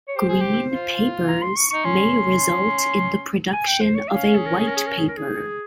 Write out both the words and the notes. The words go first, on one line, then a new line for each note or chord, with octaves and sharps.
Green papers may result in the production of a white paper.
C#5
G4 C5
G#4
G4
F4
A#5
C6
C#6
D#4 C#6
C#4 C6
G#5
G5
C5
C#5
C#4 F5
G#4
A#4
G#4
A#4
G#4
A#4
G#4
A#4
G#4